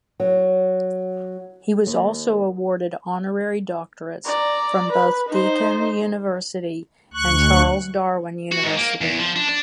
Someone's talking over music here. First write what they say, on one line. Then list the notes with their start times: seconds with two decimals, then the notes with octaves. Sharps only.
He was also awarded Honorary Doctorates from both Deakin University and Charles Darwin University.
0.20 F#3
1.87 D#2
4.26 D5 A#5
4.92 B4
5.29 D#4 C5
7.14 D2 C#6 F#6
8.52 F#4
8.63 G#2
8.77 A#3
9.01 E2
9.19 F3
9.36 D4
9.49 D4